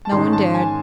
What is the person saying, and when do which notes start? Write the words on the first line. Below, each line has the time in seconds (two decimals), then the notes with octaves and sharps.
No one dared.
0.05 A5
0.11 G#2 D#3 G#3 C#4 C6
0.33 A5
0.54 G#5